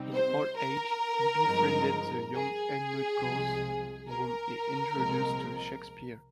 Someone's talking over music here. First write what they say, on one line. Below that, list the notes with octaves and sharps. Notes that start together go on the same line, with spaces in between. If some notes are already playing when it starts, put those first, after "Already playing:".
In old age he befriended the young Edmund Gosse, whom he introduced to Shakespeare.
Already playing: C3 G3 C4 D#4
C5
A#4
G2 F3 G#3 C4 D#4
G#4
C2 C3 F3 G#3
A#4
C2 A#2 F3 G#3 C4